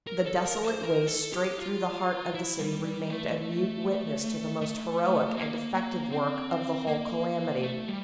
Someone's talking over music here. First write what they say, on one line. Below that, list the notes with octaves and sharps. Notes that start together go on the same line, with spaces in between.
The desolate waste straight through the heart of the city remained a mute witness to the most heroic and effective work of the whole calamity.
A#4
A4
A#4
C5
A#4
A4
G4
F4
E4
G3
G3
A3
A3
A#3
A#3
C4
A#3
A3
G3